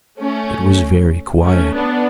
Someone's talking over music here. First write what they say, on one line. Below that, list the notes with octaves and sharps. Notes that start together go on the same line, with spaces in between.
It was very quiet.
A3 C#4
A3 C#4
B3 D4